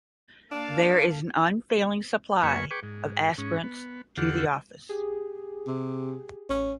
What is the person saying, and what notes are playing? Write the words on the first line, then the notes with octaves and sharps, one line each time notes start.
There is an unfailing supply of aspirants to the office.
A#3 D4 F5 A5
F#2 A#3 B4 G#5 C#6
G#4 B4 G5 C#6 D6
G#2
G#2 C#4
B3
E2 D3 F4 G4 A4 F#5
G4 G#4
C3
A1 C#4